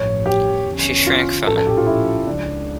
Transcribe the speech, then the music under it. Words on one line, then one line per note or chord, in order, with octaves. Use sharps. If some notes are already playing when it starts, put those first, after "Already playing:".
She shrank from it.
Already playing: A1 G2 F3 C#5
G4
E2 D3 F3 C#4
F4
A#1 A2 F3 C#4 A4
A4
G4
F4
E4
C#2 C#3 F3 D4